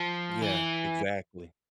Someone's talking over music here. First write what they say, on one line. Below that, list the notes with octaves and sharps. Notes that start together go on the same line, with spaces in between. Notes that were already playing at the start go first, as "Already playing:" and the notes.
Yeah. Exactly.
Already playing: F3
E3